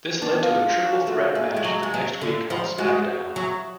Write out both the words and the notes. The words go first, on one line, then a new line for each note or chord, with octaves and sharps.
This led to a triple threat match the next week on SmackDown!
B3 D4
F4
F4
F#4
F#4
A3 F4
G#3
G#3
F#3
G#3
F#3
D3
F3
G#3 F#4
G#4
F#4
F#3